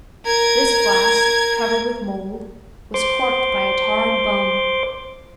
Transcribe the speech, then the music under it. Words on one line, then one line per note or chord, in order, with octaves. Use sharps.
This flask, covered with mould, was corked by a tarred bung.
A#4 G#6
C5 C6 D6